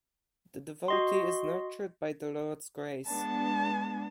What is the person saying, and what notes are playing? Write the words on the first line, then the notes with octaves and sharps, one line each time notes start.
The devotee is nurtured by the Lord's grace.
F#4 D#5 C6
G#3 B3 D4 A5